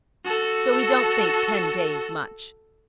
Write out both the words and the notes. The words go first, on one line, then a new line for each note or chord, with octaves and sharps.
"So we don't think ten days much."
F#4 A4